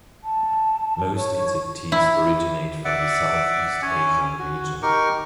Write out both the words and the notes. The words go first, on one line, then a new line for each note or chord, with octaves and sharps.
Most insect teas originate from the Southeast Asian region.
A5
C#5
E4
D5 E5 F#5 D6
C#4 C#5 G#5
F#4
D#4 G4 A#4 C#6